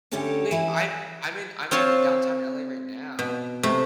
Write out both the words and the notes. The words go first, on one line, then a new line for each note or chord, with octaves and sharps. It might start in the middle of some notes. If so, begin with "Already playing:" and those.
Wait, I'm I'm in I'm in downtown LA right now. Ye
D2 D3 C#4 G4 A4 C#5
E3 E4
C4 F4 C#5 A5 C6
B2
C3 A3